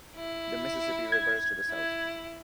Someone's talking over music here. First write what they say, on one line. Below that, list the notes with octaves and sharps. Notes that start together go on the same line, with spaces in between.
The Mississippi River is to the south.
E4
G#6
E4